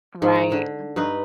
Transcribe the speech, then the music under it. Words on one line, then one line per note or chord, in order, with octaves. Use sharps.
Right, mm.
G#2 D#3
D3
G2 D#4 B4